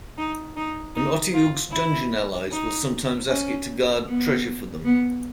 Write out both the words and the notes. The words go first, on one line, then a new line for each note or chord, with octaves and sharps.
An otyugh's dungeon allies will sometimes ask it to guard treasure for them.
D#4
D#4
D#4
F4
E4
D#4
C#4
B3
B3